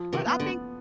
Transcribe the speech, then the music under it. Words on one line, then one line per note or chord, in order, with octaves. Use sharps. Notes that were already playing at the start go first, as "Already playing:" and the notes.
Well, I think
Already playing: F3
C3 D#3
B3
D3